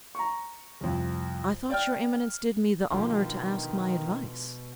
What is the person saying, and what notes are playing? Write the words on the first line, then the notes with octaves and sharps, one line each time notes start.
"I thought your eminence did me the honor to ask my advice?"
A#5 C#6
C2 F2
D5 G5 F6
B2 D3 D#3 F3 G#3